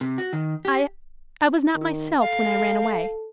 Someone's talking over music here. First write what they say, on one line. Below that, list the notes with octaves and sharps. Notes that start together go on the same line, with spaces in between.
I--I was not myself when I ran away.
C3
F#4
D#3
G4
D#3
A4 F5